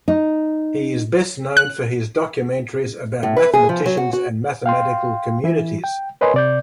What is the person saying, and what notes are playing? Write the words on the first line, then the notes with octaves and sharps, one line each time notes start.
He is best known for his documentaries about mathematicians and mathematical communities.
D#4
F#6
A2
B4
G#4
F3
F#3
F#4
F#4
F5 G5 C6
E3 E4
G5
A#4 B4 C#5 D#5 G#5 C6
C3 D5 G6